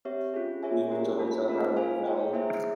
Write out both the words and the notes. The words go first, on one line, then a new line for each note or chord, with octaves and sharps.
We have moved to an hotel higher up the valley.
C4 G4 C#5 E5
C#4 F4 G#4
G#4 C#5 E5 G#5
A#3 C#4 G4 A#4
A#3 F4 G#4
A#3 C#4 F4 A#4
F4 G#4 C5 F5 G#5
G#4 C#5 G5
A#3 E4 G#4 C5 E5